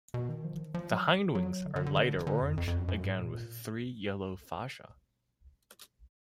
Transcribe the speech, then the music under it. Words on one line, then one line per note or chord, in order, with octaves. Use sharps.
The hindwings are lighter orange, again with three yellow fascia.
B2
D#3
F3
D#3
F3
F#3
F#3
D3
D3
D3
D3
D3
F2
F2
F2
F#2
F#2
G#2
A#2